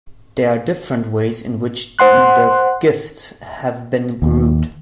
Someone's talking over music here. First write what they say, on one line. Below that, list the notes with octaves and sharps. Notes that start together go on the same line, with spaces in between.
There are different ways in which the gifts have been grouped.
C5 F#5 C6 F#6
D#2